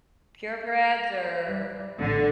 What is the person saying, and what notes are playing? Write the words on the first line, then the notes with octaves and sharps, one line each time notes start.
purebreds or
G3
A1 A2 D3